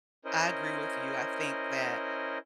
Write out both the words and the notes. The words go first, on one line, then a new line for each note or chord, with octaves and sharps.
I agree with you, I think that
C#4 E4 A#4 C5 D#5